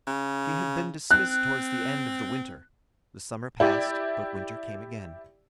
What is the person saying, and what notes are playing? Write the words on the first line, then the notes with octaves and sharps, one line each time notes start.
She had been dismissed towards the end of the winter; the summer passed, but winter came again.
C#3
C4 F#6
E4 G4 D5